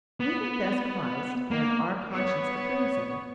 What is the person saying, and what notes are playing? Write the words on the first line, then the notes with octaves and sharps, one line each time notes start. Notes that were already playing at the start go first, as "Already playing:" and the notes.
We confess Christ and our conscience approves of it.
B3
A#3
B3 C#5